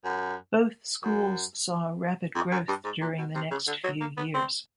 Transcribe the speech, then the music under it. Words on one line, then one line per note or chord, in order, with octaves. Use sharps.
Both schools saw rapid growth during the next few years.
F#2
F#2
F2
F#2
G2
G#2
A#2
B2
C3
C#3
D3
F#3
A#3
B3
C4